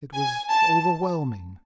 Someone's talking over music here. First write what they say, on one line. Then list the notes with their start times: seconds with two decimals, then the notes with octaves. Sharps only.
It was overwhelming.
0.13 G#5
0.49 A5